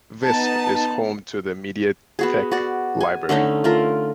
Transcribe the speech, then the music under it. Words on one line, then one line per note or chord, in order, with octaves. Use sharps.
Visp is home to the "Mediathek" library.
B3 D#4 A5
B3 F#4 G#4
F#4 D5
G#5
D3 A3 C#4 D#4
A3 F4 A#4